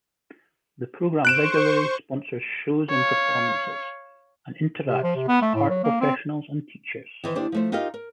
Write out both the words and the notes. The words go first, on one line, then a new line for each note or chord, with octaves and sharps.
The program regularly sponsors shows and performances, and interacts with art professionals and teachers.
C5 C#6 F#6 D7 E7
C#5 F5
C3
F3
C3
B3
A3
A2
F#3
A#3
C4
D#3 E3 C5
D#2 D4 G4 C5
F3 A3 C5
D#4 F4 G4 A#4 D#5 F5
A#4